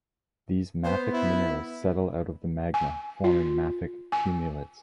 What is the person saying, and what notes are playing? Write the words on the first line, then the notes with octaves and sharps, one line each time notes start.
These mafic minerals settle out of the magma, forming mafic cumulates.
B3 C5
E4
G#5
F4
G#5